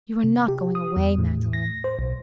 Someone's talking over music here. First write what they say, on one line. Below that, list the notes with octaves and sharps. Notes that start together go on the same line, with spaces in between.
"You are not going away, Magdalen?"
C3
G4
D#6
E2
A2
A#6
C5
B1